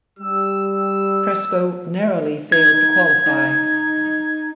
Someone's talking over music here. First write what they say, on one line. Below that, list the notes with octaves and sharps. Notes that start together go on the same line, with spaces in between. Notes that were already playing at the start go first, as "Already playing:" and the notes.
Crespo narrowly failed to qualify.
G3 E6
E6
D#4 G#6
D#4